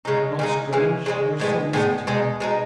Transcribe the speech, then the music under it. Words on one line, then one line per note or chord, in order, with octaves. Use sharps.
Not strange her solicitude.
C#3 G#3 D#4
C#3 G#3 D#4
C#3 E3 G#3
C#3 E3 G#3
A2 G#3 B3
A2 G#3 B3
B2 G#3 D#4
B2 G#3 D#4